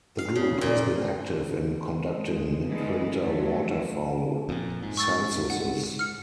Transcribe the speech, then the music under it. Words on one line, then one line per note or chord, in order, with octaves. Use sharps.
The group has been active in conducting mid-winter waterfowl censuses.
F5
C#3
A#2
G#3
D3 E3 G#3 B3 D#4
F3 F#3 A3
F2 A#2
G#2
C#6 E6 A6
F#5
F6 C#7